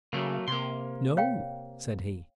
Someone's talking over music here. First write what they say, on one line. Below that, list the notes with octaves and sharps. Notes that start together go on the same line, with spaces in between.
"No," said he.
C#3 F#3 A3 A#3
C3 A#3 C6
C#5 F5 G5